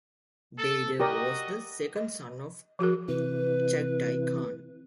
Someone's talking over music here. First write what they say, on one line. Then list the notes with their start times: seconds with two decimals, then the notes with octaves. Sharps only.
Baidar was the second son of Chagatai Khan.
0.57 A4
1.00 F#4 G4 A#4 D5 D#5
1.96 D#5
2.79 F3 F#4 G#4 A#4
3.08 C3 E3 B4